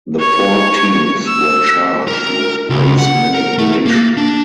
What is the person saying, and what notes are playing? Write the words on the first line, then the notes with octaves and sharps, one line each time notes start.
The four teams were charged with race manipulation.
C#5
E6
A#4
C#2
F#5
A#4
A3
A#3
D4